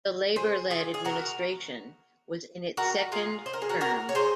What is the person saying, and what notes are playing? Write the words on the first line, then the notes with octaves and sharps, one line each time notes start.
The Labour-led administration was in its second term.
G#4 C5
F4 G#4
G#4
F#4 A#4
F#4 A#4
F4 G#4
C5
A#4
G#4
F#4 A#4
F#4 A#4
C#5
G#4 C5